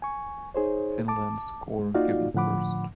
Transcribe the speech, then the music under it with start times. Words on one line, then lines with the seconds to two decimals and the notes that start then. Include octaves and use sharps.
Finland's score given first.
0.02 G#5 C#6
0.55 D#4 G#4 C5 C#5
1.08 A5 D6
1.79 G#3
1.95 A#3 D#4 F4 F#4 D5 F5
2.34 A2 D3 F3 F#5 B5 D6